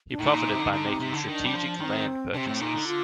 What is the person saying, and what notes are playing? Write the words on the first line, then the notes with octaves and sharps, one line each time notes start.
He profited by making strategic land purchases.
D4
A2 D#4
A#2
C3
D3
D3
C3
C3
D3
D#3 D4
G3
F3
D#3 C4 D4
C3 C4 D4
A2
A#2 D#4
D3
F4